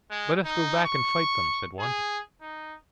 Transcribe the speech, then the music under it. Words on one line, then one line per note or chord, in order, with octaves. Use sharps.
"Let us go back and fight them," said one.
G#3
D#4
C#6
G#4
D#4